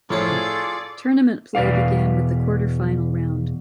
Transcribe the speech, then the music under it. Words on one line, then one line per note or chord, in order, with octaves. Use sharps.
Tournament play began with the quarterfinal round.
A2 F3 F4 G#4 A4 C#5 D5
E2 B2 B4 D5 F5